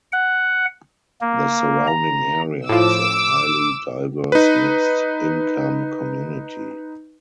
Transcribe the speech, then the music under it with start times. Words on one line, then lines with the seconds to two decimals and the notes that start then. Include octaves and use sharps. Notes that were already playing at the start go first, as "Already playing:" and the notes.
The surrounding area is a highly diverse, mixed-income community.
0.12 F#5
1.21 A#3
1.87 A#5
2.69 A2 F3 D6 E6
4.32 D#4 B4